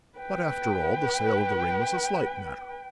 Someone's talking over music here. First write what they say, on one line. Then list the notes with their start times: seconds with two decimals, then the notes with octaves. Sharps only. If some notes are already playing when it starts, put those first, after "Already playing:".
But, after all, the sale of the ring was a slight matter.
0.18 B4 G5